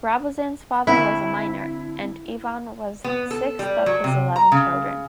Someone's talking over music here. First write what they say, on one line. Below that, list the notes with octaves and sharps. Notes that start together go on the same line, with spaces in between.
Rabuzin's father was a miner, and Ivan was the sixth of his eleven children.
D3 C4 E4 B5
B3
A4
G3
F#3
C3
A#5
C#3